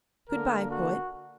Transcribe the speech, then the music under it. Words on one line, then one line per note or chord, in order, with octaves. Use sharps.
Good-bye, poet.
D3 A#3 A#4
F#4